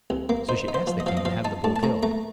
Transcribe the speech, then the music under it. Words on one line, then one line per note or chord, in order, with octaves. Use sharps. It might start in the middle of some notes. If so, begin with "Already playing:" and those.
So she asked the king to have the bull killed.
C2
A#3
D#4 C5
D#4
C5
F3
D#5
F3 F5
D#5
F3 F5
D#4 A5
A2 A5
A5
A2 A#5
A3 A#5